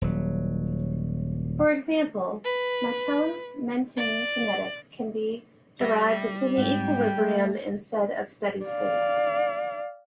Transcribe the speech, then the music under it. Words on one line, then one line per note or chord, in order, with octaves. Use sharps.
For example, Michaelis-Menten kinetics can be derived assuming equilibrium instead of steady state.
D#1 F#3
B4
D5
G3 G4 E5 A#6
G#2 G#3 C4 G5
A3
D5 F5